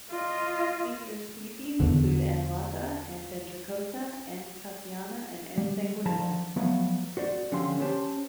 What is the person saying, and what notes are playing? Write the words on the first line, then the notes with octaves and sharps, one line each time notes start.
Easier species include "N. alata", "N. ventricosa", "N. khasiana", and "N. sanguinea".
F4 D#5
E2 D3
G3
F3 A5 A#5
F3 F#3 A3 B3
F#4 C5 D5
D3 F3 C#4 G4 C6
C#4 G4 C5 A5 C6